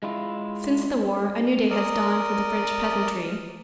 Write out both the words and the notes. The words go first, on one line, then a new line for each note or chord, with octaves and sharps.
Since the war a new day has dawned for the French peasantry.
G#3 E4 F4
A#4 D5 D#5 D#6